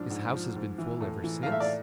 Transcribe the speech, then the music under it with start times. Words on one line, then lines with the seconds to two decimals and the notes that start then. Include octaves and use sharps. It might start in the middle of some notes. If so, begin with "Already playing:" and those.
His house has been full ever since.
Already playing: G#2 F3 D4
0.10 G#2
0.33 F3
0.55 G#2
0.78 E3
1.01 A2
1.24 E3
1.43 F5
1.46 A2
1.52 E5
1.60 D5